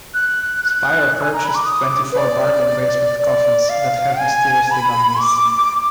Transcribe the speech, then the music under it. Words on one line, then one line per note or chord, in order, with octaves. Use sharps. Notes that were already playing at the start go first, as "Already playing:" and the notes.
Spiro purchased twenty-four bargain basement coffins, that have mysteriously gone missing.
F#6
F#6
G#5
A#5
B5
D6
D#6
D6
B4
D5
D5
F5
G#5
B5
D6